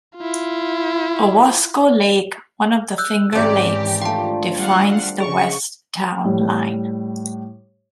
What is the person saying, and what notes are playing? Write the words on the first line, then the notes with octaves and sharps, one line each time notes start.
Owasco Lake, one of the Finger Lakes, defines the west town line.
E4 F4
E6 F#6 G6
G#2 D#3 E3 C4 C#4 G4 G#4 D5
A3 D4 F4 G5 A5
G3 F5 F#5
C#3 G#4 C#6
A2 G3